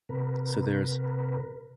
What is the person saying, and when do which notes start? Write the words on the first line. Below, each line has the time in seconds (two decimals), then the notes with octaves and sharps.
So there's
0.09 C3 A#4 B4